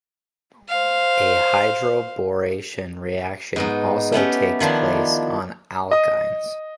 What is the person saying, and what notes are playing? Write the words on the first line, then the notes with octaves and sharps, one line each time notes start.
A hydroboration reaction also takes place on alkynes.
C5 F5
G#2 B3 D#4
A3 B3 C#4 G4
D#3 F3 D4 E4
D#5 D#6